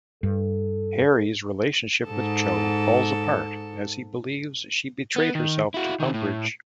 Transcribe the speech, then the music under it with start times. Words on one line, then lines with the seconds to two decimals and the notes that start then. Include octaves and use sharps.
Harry's relationship with Cho falls apart, as he believes she betrayed herself to Umbridge.
0.23 G2 A4
2.06 G#2 A4
5.16 B3
5.35 D#3
5.74 E4 F#4
6.00 D#3 C4
6.14 A2